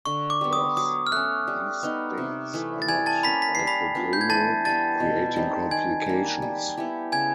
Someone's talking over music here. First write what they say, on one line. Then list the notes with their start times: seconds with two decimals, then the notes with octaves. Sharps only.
Thus these states are not orthogonal, creating complications.
0.05 D3 C#6
0.30 D6
0.41 G3 B3
0.53 D#6
0.77 F#3 D#6
1.07 F6
1.12 A3 C#4 F#6
1.47 G3
1.83 B3 D#4
2.18 C3
2.54 E3 A3
2.82 A6
2.88 G3 G#5 G#6
3.06 A5 A6
3.23 A#3 C#4 B5 B6
3.42 B6
3.55 G3 C7
3.67 B5 B6
3.95 B3 D4 F4
4.13 G6
4.21 G#6
4.30 E3 A5 A6
4.65 G3 B3 A5 A6
5.00 B2
5.36 G3 C4 D#4
5.71 D#3 G#5 G#6
6.06 G3 A#3
6.42 G3
6.77 B3 E4 G4
7.12 C#3 G#5 G#6